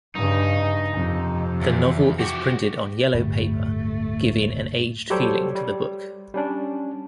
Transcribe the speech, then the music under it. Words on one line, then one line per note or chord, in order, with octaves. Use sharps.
The novel is printed on yellow paper, giving an aged feeling to the book.
G2 C#3 D#4
F2 C3
E2
F#4 G4
D1 G2 A3
F#3 G3 G4 A4 C5 C#5
G3
G3 C#4 D4